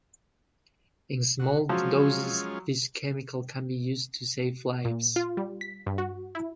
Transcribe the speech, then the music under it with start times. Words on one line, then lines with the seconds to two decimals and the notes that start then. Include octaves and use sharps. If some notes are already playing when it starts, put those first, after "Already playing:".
In small doses this chemical can be used to save lives.
1.40 F#4
1.69 F3 F#3 G#3 C#4 F4
4.85 A#2
5.16 F4
5.37 G3
5.61 B6
5.86 G2
5.98 F#4
6.35 E4